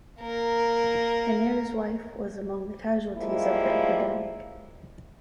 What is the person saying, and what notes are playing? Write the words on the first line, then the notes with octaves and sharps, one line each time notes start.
Henare's wife was among the casualties of the epidemic.
A#3 A#4
F3 G3 G#3 A#3 E4